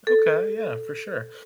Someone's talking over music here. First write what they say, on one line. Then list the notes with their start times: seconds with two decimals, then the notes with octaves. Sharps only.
Okay, yeah, for sure.
0.07 A4